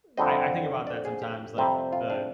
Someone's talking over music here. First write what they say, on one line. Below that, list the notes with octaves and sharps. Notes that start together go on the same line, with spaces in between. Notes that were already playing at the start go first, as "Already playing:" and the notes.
Uh, I I think about that sometimes, like, the
F2 D3 G3 C4 D#5
D5
G#4
G4
F2 C3 G3 C4
F4
D4